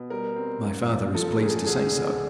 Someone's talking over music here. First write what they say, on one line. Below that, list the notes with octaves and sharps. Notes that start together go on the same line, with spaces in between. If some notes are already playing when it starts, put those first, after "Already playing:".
'My father is pleased to say so.'
Already playing: B2
G3 A#4
C4
F#2
F#2
F3 A4
C#3 G#4
A4
G#4
D2 G#4
D3